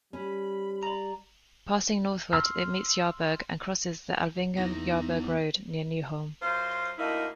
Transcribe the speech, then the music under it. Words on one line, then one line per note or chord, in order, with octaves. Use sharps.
Passing northwards, it meets Yarburgh, and crosses the Alvingham-Yarburgh road near Newholme.
G3 C#4 B5
D5 A#5
C6 E6 F6
E2 B3 D#4 E4 A#6
F#2 F4 C5
D2 A#3 D#4 E4 D#5